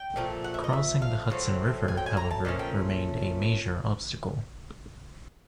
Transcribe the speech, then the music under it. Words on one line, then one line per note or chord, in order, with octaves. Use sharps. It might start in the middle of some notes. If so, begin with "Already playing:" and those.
Crossing the Hudson River, however, remained a major obstacle.
Already playing: G5
A#2 F3 A3
F#5
E5
D#5
E5
F5
A2 F#3 A3 C4
G#5
G5
G#5
A#5
A5
A#2 F3 A3 C#4
G5